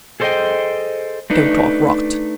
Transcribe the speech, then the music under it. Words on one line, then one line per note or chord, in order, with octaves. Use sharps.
"Don't talk rot!"
G#4 A4 C5 D5 D#5 G5
A3 D4 D#4 B4